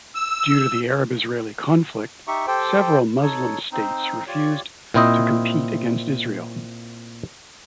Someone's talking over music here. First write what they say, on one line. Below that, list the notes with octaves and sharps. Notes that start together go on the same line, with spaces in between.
Due to the Arab-Israeli conflict, several Muslim states refused to compete against Israel.
E6
D#4 G4 E5 C#6
G4 A4 C5 G5
D#4 A4 C#5
C4 D#4
F4 G4 C#5 D5
A#2 C4 E4 C5 D#5